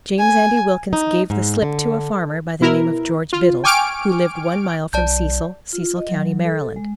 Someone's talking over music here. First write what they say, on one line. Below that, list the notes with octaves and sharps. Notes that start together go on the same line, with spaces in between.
James Andy Wilkins "gave the slip" to a farmer, by the name of George Biddle, who lived one mile from Cecil, Cecil county, Maryland.
G#5
D#4
G#2
D3
B2 E4 A#4
F4
G5 G#5 C#6 D6 F6 D7
B1 D5 A5 G6
F4
D#5
F#3
A4
G#3